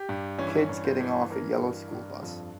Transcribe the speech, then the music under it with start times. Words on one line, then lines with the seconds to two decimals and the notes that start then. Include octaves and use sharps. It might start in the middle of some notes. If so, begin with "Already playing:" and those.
Kids getting off a yellow school bus.
Already playing: G4
0.09 G2
0.38 E3 C#4
0.48 E4
0.55 C#4
0.69 G2
0.85 C5
1.01 E3
1.30 E3 A#4
1.61 G2
1.92 G2
2.22 F2 F4